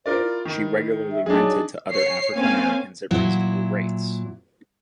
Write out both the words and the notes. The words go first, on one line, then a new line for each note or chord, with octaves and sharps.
She regularly rented to other African Americans at reasonable rates.
F4 A#4 C5 D5
E4
D#3
E5
F#3 D4 D#4 G#4
C#5 C7 C#7
A#3 C4 C#4 F5 G#5
A#2 F#3 E4